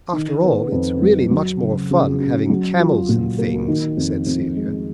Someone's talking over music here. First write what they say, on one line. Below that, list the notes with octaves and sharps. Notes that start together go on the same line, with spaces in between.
"After all, its really much more fun having camels and things," said Celia.
D#3
B3
F2
F#3
F#3
C#3
C#3
C#4
F#3
F4
A#2
A#3
D#3
F2
F2
G#3